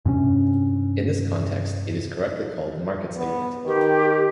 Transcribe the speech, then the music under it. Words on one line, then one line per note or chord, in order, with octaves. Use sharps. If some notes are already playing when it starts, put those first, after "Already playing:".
In this context it is correctly called Market segment.
G2 C3 C4 C#4
B3
D#3 G4